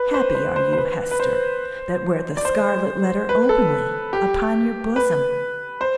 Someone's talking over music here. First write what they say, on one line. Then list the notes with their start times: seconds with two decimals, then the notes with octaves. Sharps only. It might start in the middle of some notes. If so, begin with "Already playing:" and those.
Happy are you, Hester, that wear the scarlet letter openly upon your bosom!
Already playing: B4
0.14 C5
0.35 C5
0.56 C5
0.73 C5
0.77 B4
1.11 B4
1.20 C5
2.37 D5
2.45 C5
3.29 B4
3.49 A4
4.13 G4
4.96 B4
5.81 C5